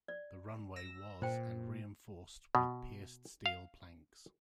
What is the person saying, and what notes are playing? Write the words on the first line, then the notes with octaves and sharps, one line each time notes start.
The runway was and reinforced with pierced steel planks.
D5
E6 A#6
A#2 C5 G5
B2
F5